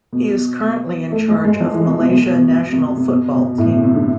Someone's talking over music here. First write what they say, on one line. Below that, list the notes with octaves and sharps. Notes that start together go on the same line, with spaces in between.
He is currently in charge of Malaysia national football team.
B2
A3
G#3
G#3
F3
E3
C3
B2
B2
B2
B2
B2
C3
C3
B2
B2
A2
B2
C3
D3